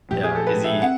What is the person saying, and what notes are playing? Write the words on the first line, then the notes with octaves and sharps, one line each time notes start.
Yeah. Is he
A#2 F3 A3 G4
G#4
A4
B4
E5
C4 F#5